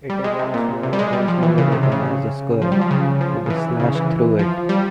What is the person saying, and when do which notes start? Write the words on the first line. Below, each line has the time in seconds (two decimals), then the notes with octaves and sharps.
It is also occasionally written as a square with a slash through it.
0.10 G3
0.24 G#3
0.39 C3
0.54 A#2
0.83 C3
0.93 G3
0.99 G#3
1.13 G3
1.28 F3
1.43 E3
1.58 C#3
1.72 C3
1.83 C3
1.92 C#3
2.62 F3
2.72 G3
2.81 F3
2.91 C#3
3.21 F3
3.46 C#3
3.50 E3
3.80 C#3
3.95 E3
4.39 F3
4.69 G3